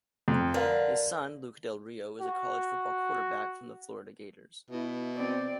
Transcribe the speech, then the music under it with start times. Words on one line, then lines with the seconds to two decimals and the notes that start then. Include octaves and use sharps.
His son, Luke Del Rio, is a college football quarterback for the Florida Gators.
0.28 F2
0.54 D3 A#4 B4 F5
2.21 F#4
4.70 B2 E4
5.15 C4 D5